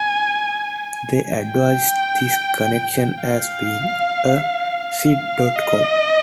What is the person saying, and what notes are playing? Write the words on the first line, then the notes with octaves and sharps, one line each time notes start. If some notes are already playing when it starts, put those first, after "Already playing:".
They advertised this connection as being a "sit dot com".
Already playing: G#5
G5
F5
F5
D#5